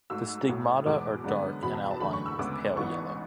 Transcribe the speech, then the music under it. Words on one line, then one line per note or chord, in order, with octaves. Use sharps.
The stigmata are dark and outlined with pale yellow.
G#2 F#3 A3 E6
B1 A2 F#3 A3
E2 B2 G#3 B3 D6
F#2 D3 G#3 B3
E2 B2 F#3 B3 B5
A5
A5
F#1 E2 D3 A3 B5
C#6
E6
D2 C#3 G#3 B3 D6
A1 G#2 E3 B3 C#6